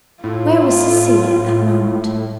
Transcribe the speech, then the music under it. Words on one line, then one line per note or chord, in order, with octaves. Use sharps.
Where was Cecilia at that moment?
A2 F4